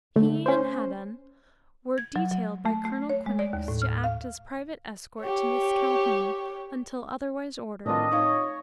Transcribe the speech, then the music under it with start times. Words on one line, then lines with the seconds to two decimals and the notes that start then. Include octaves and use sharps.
He and Haddan were detailed by Colonel Quinnox to act as private escort to Miss Calhoun until otherwise ordered.
0.16 D3 A3
0.46 C#4 C5
1.98 G#6
2.16 F#3
2.31 F#3
2.66 A3
2.85 A3
3.09 C#5
3.26 G#3
3.39 D5
3.53 D#2
3.68 A2
3.82 F6
4.04 F5
5.22 G4 C#5
7.86 A2 D#3 C4 D4 F4 B4 D#5 G#5
8.12 D#4 C#5 F5